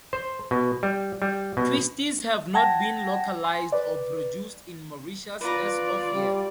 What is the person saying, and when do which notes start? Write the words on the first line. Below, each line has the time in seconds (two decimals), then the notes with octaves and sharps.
Twisties have not been localised or produced in Mauritius as of yet.
0.13 C5
0.51 B2
0.83 G3
1.22 G3
1.57 B2
2.54 F#5 G5 A5 G#6 A#6
3.44 G#5 C6
3.72 B4 D5
5.41 F4 B4 D5 A#5
6.14 G3